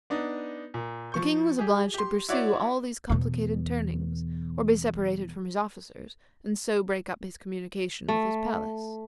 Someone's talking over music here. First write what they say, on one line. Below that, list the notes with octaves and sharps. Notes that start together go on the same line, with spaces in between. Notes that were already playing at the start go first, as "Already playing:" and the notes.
The King was obliged to pursue all these complicated turnings, or be separated from his officers, and so break up his communication with his palace.
B3 D4 D#4
A#2
F3 C#6 G6
G4 G#4
G4 C6
E4 F#4 C#5 D5 F#5 D6
E2 B2
A3